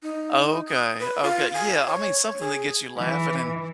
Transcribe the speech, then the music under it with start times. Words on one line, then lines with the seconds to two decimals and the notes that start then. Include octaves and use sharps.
Okay, okay yeah, I mean, something that gets you laughing and,
0.03 D#4
0.67 D#6
1.00 B4
1.23 F4
1.54 G#5
1.86 C#5
2.40 G#4
2.98 E3